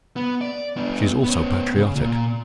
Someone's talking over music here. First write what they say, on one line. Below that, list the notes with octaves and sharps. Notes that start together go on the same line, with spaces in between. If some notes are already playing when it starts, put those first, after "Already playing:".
She is also patriotic.
B3
D5
B3 D4
B3 C#4
C#3
A#2